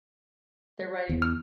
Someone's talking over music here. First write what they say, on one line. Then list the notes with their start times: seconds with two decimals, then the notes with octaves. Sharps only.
Their writing.
1.09 E2
1.22 F6